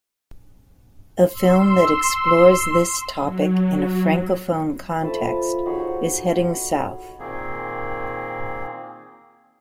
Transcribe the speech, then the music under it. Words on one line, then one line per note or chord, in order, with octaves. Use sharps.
A film that explores this topic in a Francophone context is "Heading South".
C6 E6
F#3
F3 A3 B4 A5
D#4 F#4 G#4 C#5
A#2 D#3 A#3 C4 G#4